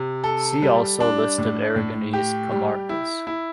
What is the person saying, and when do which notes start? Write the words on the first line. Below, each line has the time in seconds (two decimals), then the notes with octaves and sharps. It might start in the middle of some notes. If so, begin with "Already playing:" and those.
See also List of Aragonese comarcas.
Already playing: C3
0.24 A4
0.62 G3
1.00 D4
1.38 A2
1.76 A2
2.13 G4
2.52 G3
2.89 E4
3.27 E4